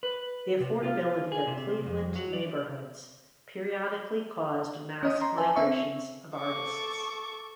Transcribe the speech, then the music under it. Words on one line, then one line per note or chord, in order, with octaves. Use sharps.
The affordability of Cleveland neighborhoods periodically caused mass migrations of artists.
B4
C3
F4
G#4
C3
F2
F#3
D5
C#4 D#5 D#6
A#5 C6
B4 E5 G#5 A5
C4 E5 C#6
A4 C#6 D6